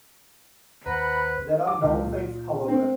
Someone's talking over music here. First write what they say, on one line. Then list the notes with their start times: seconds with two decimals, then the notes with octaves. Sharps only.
There are downsides, however.
0.86 D#2 B4 C5 F#5 A#5 B5
1.67 D6
1.82 C#2
2.02 A#2
2.68 C4